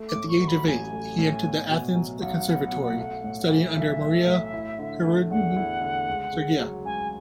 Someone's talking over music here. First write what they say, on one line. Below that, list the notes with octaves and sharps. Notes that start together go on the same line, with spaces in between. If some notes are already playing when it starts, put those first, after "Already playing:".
At the age of eight, he entered the Athens Conservatoire, studying under Maria Herogiorgiou-Sigara.
Already playing: A3
D6
A2
C#6
F#3
B5
A1 G#5
A3
A2
B3
B2
F#3
B1 F#5
B3
B2
A3
A2
E3
B1 E5
A3
A2
E4
D3
A3
E2 F#5
E4
D3
C#2
C#3
F#3
C#2 G#5